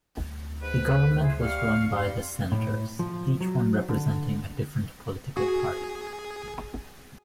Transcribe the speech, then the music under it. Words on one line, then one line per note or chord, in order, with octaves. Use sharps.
The government was run by the senators, each one representing a different political party.
D2
G#2 B4
E4 G#4 C5
G3 F5 C#6 F6
F2 G3 F5 C6
A2
F3
F#3
D3
F#4 G#4